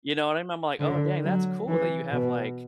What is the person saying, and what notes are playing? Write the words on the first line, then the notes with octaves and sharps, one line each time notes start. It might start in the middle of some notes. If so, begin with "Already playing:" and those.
you know what I mean? I'm like, "Oh, dang, that's cool that you have, like"
D3
F#3
E3
B2